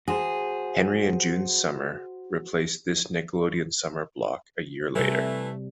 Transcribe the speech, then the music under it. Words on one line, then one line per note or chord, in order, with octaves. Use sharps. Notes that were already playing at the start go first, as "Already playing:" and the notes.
Henry and June's Summer replaced this Nickelodeon summer block a year later.
F#4 G#4 C5
C3 E3 G3 A3